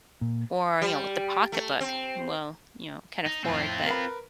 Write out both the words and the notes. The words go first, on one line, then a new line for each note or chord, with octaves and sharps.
or, you know, with the pocketbook. Well, you know, can afford, but
A#2
G3
A3
C4
D#4
F2 A2 C4 F4
A#4 B4